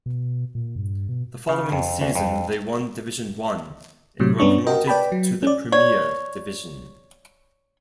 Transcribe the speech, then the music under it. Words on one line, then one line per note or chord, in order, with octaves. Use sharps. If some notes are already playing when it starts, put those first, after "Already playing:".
The following season they won Division One and were promoted to the Premier Division.
B2
A#2
G2
B2
C#3
F2
D2
F2
A2 C3 F#3
G2 B3 C#4 D4 C#6
F#4 A#4 D#5 G5
B4 D5 G5 A5 B5
F#3
C#4 D5
C#5 D5